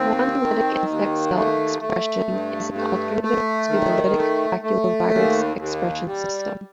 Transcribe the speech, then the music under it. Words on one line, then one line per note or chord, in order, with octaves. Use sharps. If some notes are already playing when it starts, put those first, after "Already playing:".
Non-lytic insect cell expression is an alternative to the lytic baculovirus expression system.
Already playing: D#2 C4
D#3
D#2
A3
A3
G2
A3
A3
D#3
A3
A3
D#2
D#2
G3